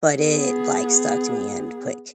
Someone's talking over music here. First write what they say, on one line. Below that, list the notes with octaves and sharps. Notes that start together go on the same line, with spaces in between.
but it, like, stuck to me, and quick
B3 G#4